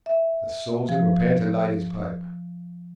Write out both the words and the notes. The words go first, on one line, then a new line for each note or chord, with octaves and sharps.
The soldier prepared to light his pipe.
E5
F3